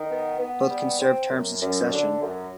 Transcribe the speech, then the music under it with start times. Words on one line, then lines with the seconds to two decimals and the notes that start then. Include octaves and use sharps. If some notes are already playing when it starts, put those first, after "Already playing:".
Both can serve terms in succession.
Already playing: D#3
0.10 B3
0.39 B3
0.70 G3
1.00 C4
1.31 F#2
1.61 F#2
1.92 D3
2.22 F#2